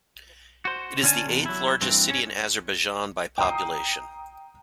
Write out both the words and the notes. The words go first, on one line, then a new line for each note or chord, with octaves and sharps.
It is the eighth largest city in Azerbaijan by population.
F#4 C5
D3 C#4 D4 F#4 G#5 A5
E2 C3
F#3 E4
G2 E3 C4
C#4
G5 A#5 D#6 C7